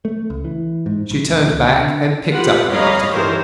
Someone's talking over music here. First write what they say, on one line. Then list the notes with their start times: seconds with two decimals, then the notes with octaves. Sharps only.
She turned back and picked up the article.
0.05 A3
0.30 C#2
0.44 E3
0.86 G#2
1.11 A#1
1.28 D2
1.51 C#2
1.79 D3
2.32 F4 G4 B4 F#5
2.70 G3 C#5 D#5 F5 A#5 B5
3.11 D#3 E3 G4 A#4 C5 C#5